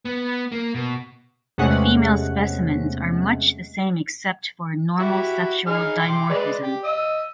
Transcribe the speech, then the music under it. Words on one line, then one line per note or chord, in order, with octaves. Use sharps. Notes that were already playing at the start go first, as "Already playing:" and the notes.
Female specimens are much the same except for normal sexual dimorphism.
B3
A#3
B2
E2 C3 G#3 A3 C#4 F#5
E4 F#4 G4
D#4 G#4 F6
G5 C6 D6
G#3 B4 D5
G4
D#5 D#6 E6